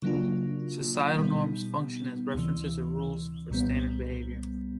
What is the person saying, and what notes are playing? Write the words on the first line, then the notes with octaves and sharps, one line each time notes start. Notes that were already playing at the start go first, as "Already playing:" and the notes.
Societal norms function as references or rules for standard behavior.
C#3 F#3 A#3 D4 F4
B2 G3 B3 D#4
D2 C3 E3
C2 A#2 G3 B3